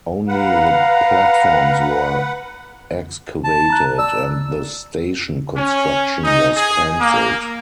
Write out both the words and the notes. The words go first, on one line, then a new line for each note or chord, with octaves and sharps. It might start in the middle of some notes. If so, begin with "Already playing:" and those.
Only the platforms were excavated, and the station construction was cancelled.
B4 F5 F#5 A#5
A5
A#5 F#6
D5 E6
C#4
D#4
G#4
A#3